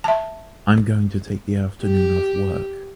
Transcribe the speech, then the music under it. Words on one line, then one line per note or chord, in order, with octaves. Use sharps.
I’m going to take the afternoon off work.
E5 A5
G4